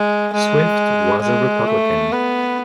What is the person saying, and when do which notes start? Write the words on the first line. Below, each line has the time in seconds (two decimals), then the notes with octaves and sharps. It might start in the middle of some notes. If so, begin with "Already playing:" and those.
Swift was a Republican.
Already playing: G#3
0.34 G#3
1.23 G#3
1.67 A3
2.12 B3